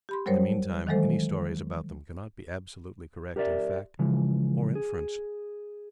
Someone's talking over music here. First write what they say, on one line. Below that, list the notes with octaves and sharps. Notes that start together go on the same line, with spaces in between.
In the meantime, any stories about them cannot be absolutely correct in fact or inference.
G4 B5 C6
F#3 G3 A#4 C5 C#5
D#3 E3 F#3 G#3 A4 C5
G4 A#4 C#5 D5 E5
C#3 E3 F3 G#3
G#4